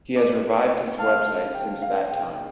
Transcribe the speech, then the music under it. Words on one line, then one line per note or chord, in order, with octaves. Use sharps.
He has revived his website since that time.
D6
F5 A5
F5
G5
F5
G5